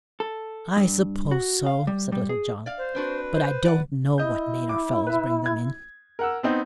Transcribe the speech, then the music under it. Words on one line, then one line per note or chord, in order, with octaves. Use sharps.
"I suppose so," said Little John, "but I don't know what made our fellows bring them in."
A4
G2
F#4
F5
G3
G3
G#4
D5 F5
C5
C4 D4 F#4 B4
C5
D5 F#5
E4 D#5 G6
D6
B4 E5
G#6
A#4 F#5 E6
B3 C4 D#4